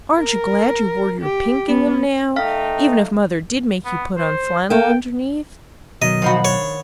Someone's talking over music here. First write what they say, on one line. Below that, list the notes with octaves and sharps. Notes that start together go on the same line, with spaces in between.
Aren't you glad you wore your pink gingham now, even if mother did make you put on flannel underneath?
A#4
G4
B3
A3 D#4 F5 G5 F6 B6
B3
C5
A#3 A4 G5
B2 D#3 F#3 D#5
F3 D#4 F#4 F#5 B5
D4 C#5